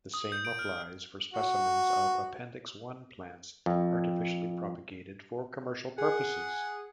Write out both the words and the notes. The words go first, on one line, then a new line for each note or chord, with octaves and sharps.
The same applies for specimens of Appendix One plants artificially propagated for commercial purposes.
D#6
G6
D7
F6
F#4
F2
G#4 F#5